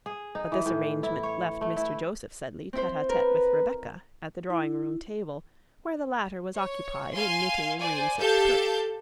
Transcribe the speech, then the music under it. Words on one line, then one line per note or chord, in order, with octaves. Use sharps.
But this arrangement left Mr. Joseph Sedley tete-a-tete with Rebecca, at the drawing-room table, where the latter was occupied in knitting a green silk purse.
G#4
D#4
E3
A2
E4
C#5
A3
E4
C4 E4 C5
A#4 B4
E4
C#5
F5 G#5 C6
C5 D5 G#5
G4 A4 F5 A5 G6